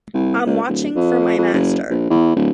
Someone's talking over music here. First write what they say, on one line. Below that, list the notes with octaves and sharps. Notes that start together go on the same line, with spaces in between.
I'm watching for my master.
C2
C#2
D1
F2
F2
F#1
A#1
E2
D1